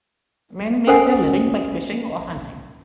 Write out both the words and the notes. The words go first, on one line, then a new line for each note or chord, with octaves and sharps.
Men make their living by fishing or hunting.
C#4 A4 A#4 C5 F#5 G#5